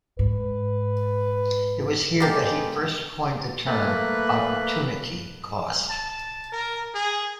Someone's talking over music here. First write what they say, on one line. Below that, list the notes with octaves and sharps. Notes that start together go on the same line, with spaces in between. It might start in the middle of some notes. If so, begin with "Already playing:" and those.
It was here that he first coined the term opportunity cost.
G#2 B4
G#3 A#3 B3 G4 A4 A#4
A3 A#3 B4 F#6
A5
A#4
G#4